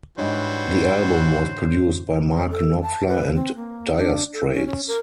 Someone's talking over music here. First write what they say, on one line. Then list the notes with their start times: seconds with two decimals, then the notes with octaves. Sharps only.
The album was produced by Mark Knopfler and Dire Straits.
0.18 G#2 E3 G3 D4 F#4 C5 C#5 D#5
2.38 C#5
2.50 A4
2.82 A5
3.08 B4
3.35 C4
3.56 A#3
3.97 D4
4.33 A4
4.53 C#4
4.66 C#4
4.88 A#4